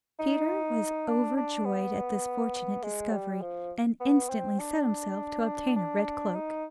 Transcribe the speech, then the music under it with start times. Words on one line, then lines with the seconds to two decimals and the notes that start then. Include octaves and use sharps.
Peter was overjoyed at this fortunate discovery, and instantly set himself to obtain a red cloak.
0.20 D#4
1.08 D4
1.37 D4
1.66 B3
2.83 G#3
3.12 G3
3.41 F3
4.00 B3
4.30 C4
4.59 D4
5.76 D4
6.34 D#4